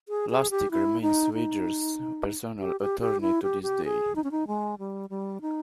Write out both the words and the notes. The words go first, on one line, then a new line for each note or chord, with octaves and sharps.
Lustick remains Wegers's personal attorney to this day.
G#4
G#4
G4
E4
D#4
D#4
G4
G4
G4
E4
G4
G4
G#4
D#4
C#4
D#4
G#3
G3
G3
D#4